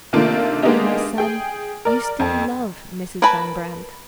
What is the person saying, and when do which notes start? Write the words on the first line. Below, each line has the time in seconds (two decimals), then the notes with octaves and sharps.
My son, you still love Mrs. Van Brandt.
0.13 C3 D#3 A3 A#3 D4 F4
0.62 G#3 A#3 B3 D4 D#4 G4
1.18 G#4 G5
1.85 A#4 D5
2.20 F2 A5
3.22 A#4 B4 G#5 A5 B5